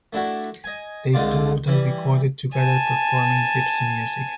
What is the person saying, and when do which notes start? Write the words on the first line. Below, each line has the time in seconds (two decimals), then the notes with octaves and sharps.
They toured and recorded together performing Gypsy music.
0.13 A3 D4 E4 F#4
0.64 D#5 G#5
1.13 C2 D3 G#3 F4 D5 D6
1.68 E3 G3
2.56 G#5 A5